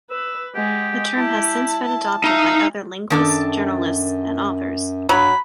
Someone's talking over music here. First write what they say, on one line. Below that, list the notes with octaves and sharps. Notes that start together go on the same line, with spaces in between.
The term has since been adopted by other linguists, journalists, and authors.
B4 E6
G#3 G4 F#5
E4 A5
D#4 E5 F5 A#5
F#2 D#3 D4 A4
G2 F#3 B5